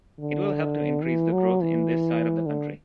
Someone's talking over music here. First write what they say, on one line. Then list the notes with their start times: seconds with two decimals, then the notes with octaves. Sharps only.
It will help to increase the growth in this side of the country.
0.19 D3
1.03 E3
1.32 F#3
1.61 E3
2.46 D3